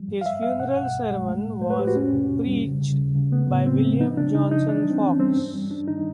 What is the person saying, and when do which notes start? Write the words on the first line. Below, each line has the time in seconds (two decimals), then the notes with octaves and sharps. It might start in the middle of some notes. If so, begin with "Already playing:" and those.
His funeral sermon was preached by William Johnson Fox.
Already playing: F3 G3
0.08 G2
0.21 F5
0.26 G2 E5
0.42 G2 F5
0.60 B2 F#5
0.77 C2 F#5
0.94 C2
1.11 G#3
1.28 A3
1.45 A2
1.62 A3 C5
1.70 B4
1.79 A2 G4
1.87 F#4
1.96 F2 C#4
2.13 C3
2.30 C3
2.47 G3
2.64 C#3
2.81 C#3
2.98 D#2
3.15 C#3
3.32 A3 B3
3.50 A2
3.66 F#3 C4
3.83 A3
4.01 F3 D#4
4.17 C#3 D4
4.34 C#3 D#4
4.52 F3 D#4
4.68 E3 D4
4.86 G3 C4
5.02 E3 C#4
5.19 G3 C4
5.36 G2
5.54 G3
5.71 G2 D4
5.87 D#3 D#4